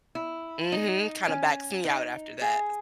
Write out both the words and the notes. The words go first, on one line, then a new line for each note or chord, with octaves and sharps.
Mhm. Kinda backs me out after that,
E4
D#4
C#4
D#4
G#4